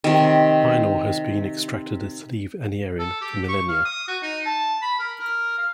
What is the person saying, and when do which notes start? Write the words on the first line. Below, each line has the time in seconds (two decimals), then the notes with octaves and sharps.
Iron Ore has been extracted at Slieve Anierin for millennia.
0.04 C3 D#3
2.99 A4
3.21 G4
3.49 C#6
3.69 F5
3.85 D#6
4.08 F#4
4.22 D#4
4.45 A5
4.82 B5
4.99 A#4
5.20 A#4
5.58 F5